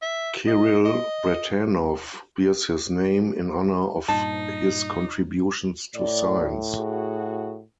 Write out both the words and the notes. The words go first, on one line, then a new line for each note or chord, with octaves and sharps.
Kiril Bratanov bears his name in honor of his contributions to science.
E5
D#5
D#5
G2 A#2 D#4 A5
A2 D5
F#4 G#4